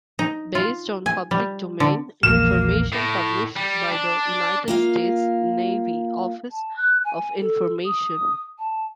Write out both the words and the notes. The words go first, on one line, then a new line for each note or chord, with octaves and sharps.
Based on public domain information published by the United States Navy Office of Information.
D#4
F4
G#5
G3
D3
E1 A#1 A#3 F6 E7
A2
G3
D4
A#3 F4 F5
A5
F#6
G#5
A4
D#6
A5